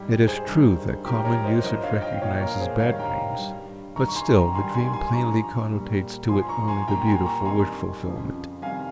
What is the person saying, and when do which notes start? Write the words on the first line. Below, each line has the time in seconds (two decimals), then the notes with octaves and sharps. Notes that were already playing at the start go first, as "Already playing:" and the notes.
It is true that common usage recognizes "bad" dreams, but still the dream plainly connotates to it only the beautiful wish fulfillment.
Already playing: G#2 G3 G4
0.27 G#4 C5
0.47 G2 D#3 G3
1.05 G#2 F3 G4 A#4
1.25 A#4 C#5
1.44 C5 D#5
1.64 G2 F3 C5 D#5
1.83 C#5 F5
2.02 D#5 G5
2.22 A#2 F3 C#5 F5
2.41 A#4 C#5
2.60 G#4 C5
2.79 G#2 D#3 G3 C#5 F5
2.99 G5 A#5
3.38 G2 G3
3.96 G2 D#3 G3 A#5 C#6
4.08 C#6
4.16 G#5 C6
4.35 G5 A#5
4.55 G2 D#3 G3 G#5 C6
4.74 G#5 C6
4.93 G#5 C6
5.13 G2 F3 A#5 C#6
5.72 A#2 G3
6.29 G2 F3 G#5 C6
6.49 A#5 C#6
6.68 G#5 C6
6.87 A#2 G3 G5 A#5
7.07 G#5 C6
7.26 A#5 C#6
7.45 F2 D#3 G3 G#5 C6
8.04 F2 C#3 F3
8.62 F2 C3 D#3 G3 F5 G#5